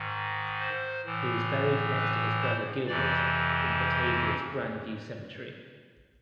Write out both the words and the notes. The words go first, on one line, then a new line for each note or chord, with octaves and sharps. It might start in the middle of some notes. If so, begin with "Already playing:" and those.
He was buried next to his brother Gilbert in Batavia's Grandview Cemetery.
Already playing: G#2 D#3
C5
A2 E3
B4
C5
F2 C3 E3 D5